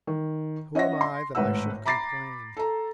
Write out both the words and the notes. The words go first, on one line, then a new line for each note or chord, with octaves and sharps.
Who am I that I should complain?
D#3
C#4 D#5 E5 F#5 A#6
C6
G#1 A2 B4 F#5 E6
A#5 B5 D6 A6 A#6 C7
A4 A#5